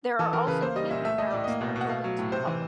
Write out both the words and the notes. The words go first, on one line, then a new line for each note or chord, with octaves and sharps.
There are also camping grounds that are open to the public.
E3 A4
E3 A#4
C#3 B4
A#3 C5
G3 D#5
A#2 E5
A3 E5
A3 D#5
A2 D5
A#3 D#5
B2
B2
F#5
A3 F5
F#3
A2
C3 C5
E3